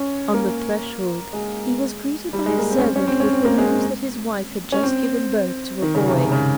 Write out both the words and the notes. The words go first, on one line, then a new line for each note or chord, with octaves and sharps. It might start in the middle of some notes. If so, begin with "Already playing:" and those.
On the threshold he was greeted by a servant with the news that his wife had just given birth to a boy.
Already playing: C#4
A#3
G#3
G3
G#3
A#3
C4
C#4
C4
C#4
C4
C#4
C4
A#3
G#3
C#4
C4
D#3
C#3
C3
C#3
C#3